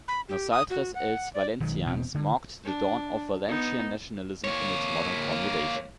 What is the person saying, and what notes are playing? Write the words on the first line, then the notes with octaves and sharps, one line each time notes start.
"Nosaltres, els valencians" marked the dawn of Valencian nationalism in its modern formulation.
B5
G4
D#6
F#4
F#5
D5
B1 D#3 F#3 G#3
E1 B2 B3 C4
D3
D4
B3 D#4
A#3 C#5